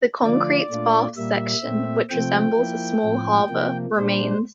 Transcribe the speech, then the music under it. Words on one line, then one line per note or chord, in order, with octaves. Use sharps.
The concrete baths section, which resembles a small harbour, remains.
D3 F3 A3 D4 F4 D5
A#2 A3 D4 F4
A#2 G3 A#3 E5
A#2 A3 C4
C3 F3 A3 C4 G5
F3 A#3 E4
A2 F3 C4
C3 F3 A#3
A#2 G3 D4 C5